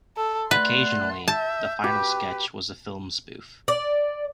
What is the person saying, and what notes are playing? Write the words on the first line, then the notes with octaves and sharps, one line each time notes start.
Occasionally, the final sketch was a film spoof.
A4
A3 B4 D5 F#5 C6 F#6
E5 A5 G6
G4 B4
D5